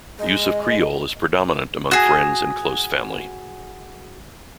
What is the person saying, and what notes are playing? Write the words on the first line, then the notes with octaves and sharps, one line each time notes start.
Use of Creole is predominant among friends and close family.
G#3 D#5
F#4 G#4